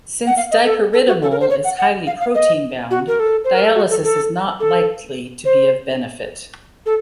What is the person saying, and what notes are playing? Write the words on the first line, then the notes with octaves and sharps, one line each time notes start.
Since dipyridamole is highly protein bound, dialysis is not likely to be of benefit.
F#5
F5
D#5
A4
A4
F#4
A4
A#4
C5
C#5
F#5
F#5
F5
F5
D#5
F#4
A#4
A4
C5
A#4
A4
F#4
A4
A4
A4
C5
A4